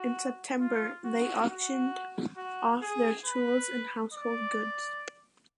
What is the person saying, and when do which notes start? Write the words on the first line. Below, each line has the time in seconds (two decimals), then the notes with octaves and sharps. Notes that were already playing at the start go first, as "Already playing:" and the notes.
In September they auctioned off their tools and household goods.
Already playing: F#4
0.60 F4
1.05 F#4
1.48 F#4
2.37 F#4
2.82 G#4
3.26 B4
4.13 D5